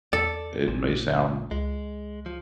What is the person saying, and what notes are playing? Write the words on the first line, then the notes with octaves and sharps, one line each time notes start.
that may sound,
E2 A4 D5
A1 A#2
C#2 G#3
F3